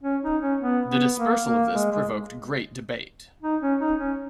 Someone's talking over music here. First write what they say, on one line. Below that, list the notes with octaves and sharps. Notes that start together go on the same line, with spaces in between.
The dispersal of this provoked great debate.
C#4
D#4
C#4
B3
B3
A#3
A#3
G#3
G#3
D#4
C#4
D#4
C#4